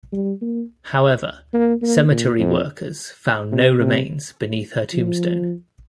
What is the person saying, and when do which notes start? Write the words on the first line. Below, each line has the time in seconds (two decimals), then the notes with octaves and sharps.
However, cemetery workers found no remains beneath her tombstone.
0.13 G3
0.42 A#3
1.54 A#3
1.82 A#3
2.11 A#2
2.39 F2
3.52 C3
3.80 C3
4.94 F3